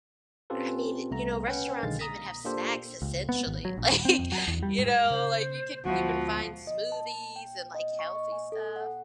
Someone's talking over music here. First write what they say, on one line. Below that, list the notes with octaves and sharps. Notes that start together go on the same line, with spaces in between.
I mean, you know, restaurants even have snacks essentially. Like, you know, like, you could even find smoothies and, like, healthy stuff.
C4 C#4 F4 G4 A4 B4
C2 A3 B3 A#5
C#4 B4 F#5 G5
B1 D3 D#3 G#3 F5 A6
A#5 D#6 A#6 B6
A#3 D4 F4 G4 A4 C5
C#2
B3
G#1
F#3
A#1
D#1
C4
F2
F#3
E2
G3
G#2
C#3 C5
D2 F3 G#3 B3 E4 F#4
D#5
A5
G5
D#5
C#6
D#5
G#5
A4
F#5